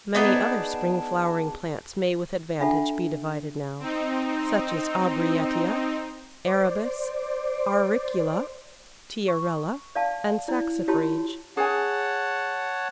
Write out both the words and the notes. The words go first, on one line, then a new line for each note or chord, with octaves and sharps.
Many other spring-flowering plants may with advantage be divided now, such as Aubrietia, Arabis, Auricula, Tiarella, and Saxifrage.
B3 D4 D#4 G#4
D4 F4 A4 E5 F#5 A5
C4 D#4
C5 D5
C#6
D5 F5 A5
E4 D5
E4 F4 G4 C#5 A5 C6
G#4 C#5 F#5 G#5 A5